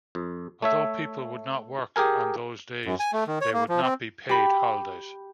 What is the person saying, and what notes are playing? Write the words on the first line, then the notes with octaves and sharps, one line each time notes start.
Although people would not work on those days, they would not be "paid" holidays.
F2
A3 C#5 E5
G4 G#4 A#4 G#5
F#2
G#5
A3
D#3
C#5
A#3
F3
C4
G4 B5